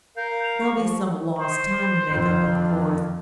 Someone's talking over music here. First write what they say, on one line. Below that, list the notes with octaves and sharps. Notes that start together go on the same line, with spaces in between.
There'll be some lost time to make up, of course.
A#4 F5 G6
F7
C#6
F3
C5
F2 C5
D4